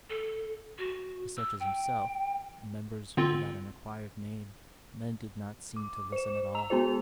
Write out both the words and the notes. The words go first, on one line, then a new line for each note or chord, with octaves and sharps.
To such as himself,--Members without an acquired name,--men did not seem to listen at all.
A4
F#4
E6
G5
D3 C4 F4
D6
C5 E7
A#5 E6 F7
G#3 B3 F#4 G#4 C5 F7